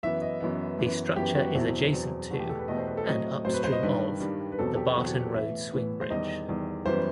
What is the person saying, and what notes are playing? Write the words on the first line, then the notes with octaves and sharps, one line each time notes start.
The structure is adjacent to, and upstream of, the Barton Road Swing Bridge.
F#2 E3 B3 E5
D#5
F#2 E3 B3
F#2 E3 B3
F#2 E3 B3 G4
F#4
E2 B2 F#3 C4 E4
E2 B2 F#3 C4
E2 B2 A3 F#4
G4
A4
B4
E2 B2 A3 D#5
C5
B4
A4
A2 F#3 C4 D#5
A2 F#3 C4 C5
B4
C5
D#5
G2 D#3 G3 B4
G2 D#3 G3
B4
E2 B2 F#3 C4 A4
G4
E2 B2 F#3 C4 F#4
F#4
G4
A4
A2 E3 B3 E5
A2 E3 B3
C5
E2 D#3 G3 D#5
E2 D#3 G3
F#2 E3 G3 B3 C5